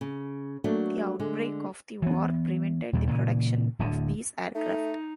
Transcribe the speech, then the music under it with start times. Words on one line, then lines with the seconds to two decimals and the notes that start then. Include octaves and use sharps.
The outbreak of the war prevented the production of these aircraft.
0.01 C#3
0.64 F#3 A3 A#3 D4
1.20 D3 G#3
2.02 E3 B3
2.93 D#2 A#2 G3
3.07 A#2 C#3 E3
3.79 D1 D2 D3
4.55 A3 D#4